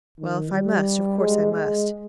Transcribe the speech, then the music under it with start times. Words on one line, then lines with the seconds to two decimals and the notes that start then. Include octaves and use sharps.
Well, if I must, of course I must.
0.19 D#3
0.52 G3
1.19 G#3
1.52 G#3